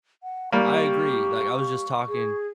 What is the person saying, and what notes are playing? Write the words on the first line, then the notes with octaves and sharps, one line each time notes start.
I agree, like, I was just talking
F#5
G3 A#3 G4 C#6
G#4